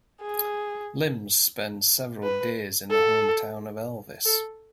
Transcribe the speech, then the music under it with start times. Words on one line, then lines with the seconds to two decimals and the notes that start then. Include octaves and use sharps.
Limbs spend several days in the hometown of Elvis.
0.22 G#4
2.23 B4
2.90 A4
4.26 A4